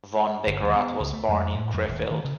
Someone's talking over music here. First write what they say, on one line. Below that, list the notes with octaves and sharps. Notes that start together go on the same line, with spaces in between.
Von Beckerath was born in Krefeld.
G1
D#2
B3
C#2
A3
F2
A2
F2
D#1
D#3
C#3